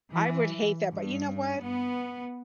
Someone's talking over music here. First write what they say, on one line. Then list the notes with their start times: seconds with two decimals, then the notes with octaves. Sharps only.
I would hate that, but you know what?
0.13 E3
0.91 G2
1.61 B3